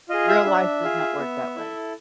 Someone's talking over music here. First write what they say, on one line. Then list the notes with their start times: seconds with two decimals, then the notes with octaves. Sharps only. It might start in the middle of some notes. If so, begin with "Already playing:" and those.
Real life does not work that way.
0.09 F4 G#4 D#5
0.28 E5
0.46 D4
0.83 F4 G#4
1.19 B3
1.56 E4 A4